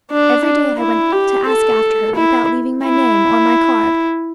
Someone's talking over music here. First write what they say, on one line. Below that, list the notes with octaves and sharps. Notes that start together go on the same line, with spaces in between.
Every day I went to ask after her, without leaving my name or my card.
D4
D4
E4
G4
A4
E4
E4